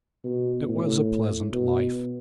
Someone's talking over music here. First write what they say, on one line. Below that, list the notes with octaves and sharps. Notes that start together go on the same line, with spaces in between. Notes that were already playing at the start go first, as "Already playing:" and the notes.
It was a pleasant life.
B2
A2
B2